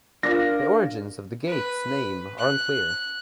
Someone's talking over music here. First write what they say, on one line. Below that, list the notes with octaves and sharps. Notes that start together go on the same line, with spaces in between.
The origins of the gate's name are unclear.
D4 F4 A#4 A#6
B4
F#6